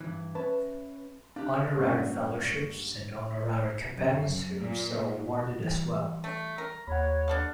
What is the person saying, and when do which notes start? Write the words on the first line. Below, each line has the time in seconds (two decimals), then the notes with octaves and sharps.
Honorary Fellowships and Honorary Companionships are awarded as well.
0.01 G2 E3
0.35 C#4 B4 E5 A5
1.36 D4 G4 F5 F#6
1.77 C#2 G2 A#3 F#5 C#6
3.96 F#2
4.58 A#2
5.60 E3 G3
6.24 A3
6.58 A#4
6.87 D#2 C#5 F#5 B5
7.28 D4 A4 F5